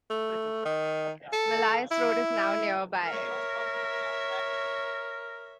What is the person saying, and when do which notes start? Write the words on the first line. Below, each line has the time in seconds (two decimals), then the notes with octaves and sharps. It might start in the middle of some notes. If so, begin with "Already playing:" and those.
Millais Road is now nearby.
0.10 A3
0.65 D#3
1.33 A4
1.91 E4
3.06 A#4 C#5 E5